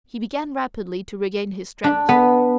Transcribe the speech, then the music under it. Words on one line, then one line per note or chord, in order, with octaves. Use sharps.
He began rapidly to regain his strength.
D4
B3